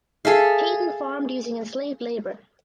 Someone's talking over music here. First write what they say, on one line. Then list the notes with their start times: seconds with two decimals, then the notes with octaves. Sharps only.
Peyton farmed using enslaved labor.
0.25 G#4 A4 E5 F5